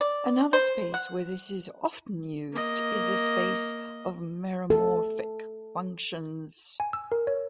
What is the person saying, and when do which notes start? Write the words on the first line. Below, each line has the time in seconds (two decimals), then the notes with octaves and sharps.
Another space where this is often used is the space of meromorphic functions.
0.01 D5
0.53 C5
0.94 F#5
2.52 A#3 D#5
4.70 A4
6.80 G#5
6.93 E6
7.12 A#4
7.27 C#5